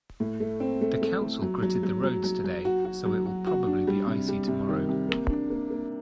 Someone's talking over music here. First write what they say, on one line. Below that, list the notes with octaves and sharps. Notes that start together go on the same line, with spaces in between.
The council gritted the roads today, so it will probably be Icy tomorrow.
A2
A3
C4
A3
A3
A3
F#3
F#3
F#3
F#3
F#3
F#3
F#4
F#4
F#3
F#4
F#4
D4
G3
C3
G3
C3
D#3
C3
A#3
D4
A#3
A#3